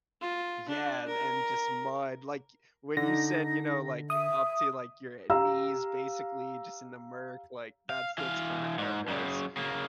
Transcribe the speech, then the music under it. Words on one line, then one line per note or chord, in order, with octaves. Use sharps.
Yeah, and and just mud, like, when you said, you know, like, up to, like, your, uh, knees, basically, just in the murk, like, that's that's kinda how it was.
F4
D4
A#4
D3 D#4 A#6
E5 D#6
G4 F5 A#5 E6
F5
E3 F5
G#2
F#2 C#3
C#3 A#3